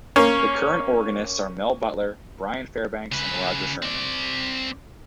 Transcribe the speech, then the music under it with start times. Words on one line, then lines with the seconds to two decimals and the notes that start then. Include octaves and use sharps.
The current organists are Mel Butler, Brian Fairbanks, and Roger Sherman.
0.16 A#3 C#4
3.12 C#3 B4
3.82 C4 D5